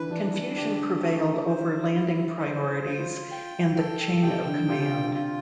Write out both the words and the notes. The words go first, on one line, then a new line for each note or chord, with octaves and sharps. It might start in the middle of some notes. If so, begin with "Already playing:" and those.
Confusion prevailed over landing priorities and the chain of command.
Already playing: D3 E3 B4
E3 D4
E3
D3 G4
A3
C5
E4
C5
F4
G5
A4
C3 G5
D3
C3 F4
D3
F4